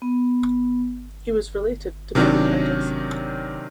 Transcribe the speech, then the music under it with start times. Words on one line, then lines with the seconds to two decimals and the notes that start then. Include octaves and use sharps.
He was related to Bill Kurtis.
0.02 B3
2.15 C3 D#3 F#3 C#4 D4